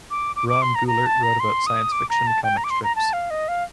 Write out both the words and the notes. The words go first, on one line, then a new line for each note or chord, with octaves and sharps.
Ron Goulart wrote about science fiction comic strips.
D6
D6
D6
C6
A#5
A#5
A5
A#5
C6
D#6
D6
A#5
A5
G5
A#5
D6
C6
A#5
A5
F5
D#5
F5